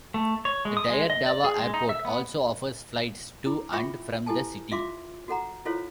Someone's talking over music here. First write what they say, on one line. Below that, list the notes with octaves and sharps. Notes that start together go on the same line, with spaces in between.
The Dire Dawa Airport also offers flights to and from the city.
A3
C#5
G#3
D#6
G#3
D#5
D5
G#4
G#3
D#4
E5
B3
E4 G#4
F4 G#4 E5 G5 B5 C#6
E4 G4 A4 G#5 A5
F4 E5 F5 C6 D6
F#4 A4 F#5 A#5
E4 F4 A4 C5 C#5 F5